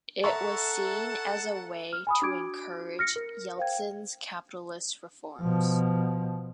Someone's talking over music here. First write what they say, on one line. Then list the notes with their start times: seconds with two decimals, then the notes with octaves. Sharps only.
It was seen as a way to encourage Yeltsin's capitalist reforms.
0.24 A4 E5 F#5 A5 A#5 C#6
1.93 F6
2.07 G#5 B5 D#6
2.22 D4 F#4 D6 G#6 D7
2.99 F6 A#6 C#7
3.16 A#4
3.58 C5 F5 G5 G#6
5.41 B2 F3